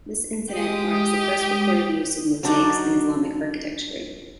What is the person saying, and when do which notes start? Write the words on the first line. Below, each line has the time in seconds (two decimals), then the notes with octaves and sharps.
This incident marks the first recorded use of mosaics in Islamic architecture.
0.53 G#3 G4 D#6
2.43 F#3 D4 D#4 D5